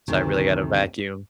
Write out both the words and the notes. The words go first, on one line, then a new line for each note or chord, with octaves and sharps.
so I really gotta vacuum.
D2 C3 D#3